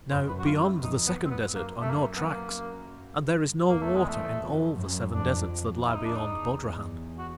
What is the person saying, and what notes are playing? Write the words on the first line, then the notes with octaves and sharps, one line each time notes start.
Now, beyond the second desert are no tracks, and there is no water in all the seven deserts that lie beyond Bodrahan.
F#2 C5
B4
F#4
F4
E4
F2 D#4
B3
E2
C4
B3
F#2 A#3
A3
F#2 A#3
B3
A#3
E2 A#3
A3
G#3
A3
F2
F#2
F2 D4
E2 E4
D#4
D4
D#4
F#4